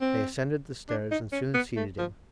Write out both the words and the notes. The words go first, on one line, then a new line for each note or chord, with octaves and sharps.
They ascended the stairs, and soon seated him.
C4
D4
D#4
C#4
B3
A3
F3